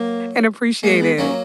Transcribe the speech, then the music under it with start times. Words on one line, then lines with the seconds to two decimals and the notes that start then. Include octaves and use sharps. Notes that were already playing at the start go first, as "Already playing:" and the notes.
and appreciate it.
Already playing: F#3 A#3
0.83 G#3 A#3
1.01 B3
1.18 F#3 A#3 C#4